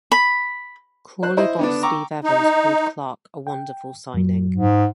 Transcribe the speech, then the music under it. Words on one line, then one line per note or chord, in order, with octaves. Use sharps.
Crawley boss Steve Evans called Clarke a wonderful signing.
B5
C5 F#6
E4 C5 D#5
D3 B3 D4
G5 A#5 C#6 D6 E6
D#4
G5
F#2 F#3
G#2